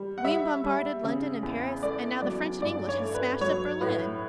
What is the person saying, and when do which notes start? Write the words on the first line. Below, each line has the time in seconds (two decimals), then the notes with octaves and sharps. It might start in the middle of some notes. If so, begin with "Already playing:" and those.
We bombarded London and Paris, and now the French and English have smashed up Berlin.
Already playing: G3
0.18 F#5
0.24 G3 E5
0.64 G3
1.04 C#3
1.43 E2
1.83 A3 D5
2.22 F#3 D5
2.62 G2 D5
2.89 C#5
3.02 A3
3.15 B4
3.41 F#3 C#5
3.81 A2 B4